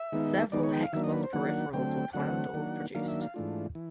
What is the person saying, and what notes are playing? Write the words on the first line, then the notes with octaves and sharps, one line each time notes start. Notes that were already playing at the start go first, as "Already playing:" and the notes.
Several HexBus peripherals were planned or produced.
Already playing: E5
D#3 G#3 B3 D#4
D#3 G#3 B3 D#4 D5
C#5
G5
F5
D#3 F#3 A#3 D4 E5
D#5
B4
C5
D#3 F#3 A#3 D4 F#5
D3 F#3 A3 C4 G5
D3 F#3 A3 C4 F#5
D#3 F#3 A#3 D4
D#3 F#3 A#3 D4 F5
E5
F5
G#2 E3 A3 D4 F4
E3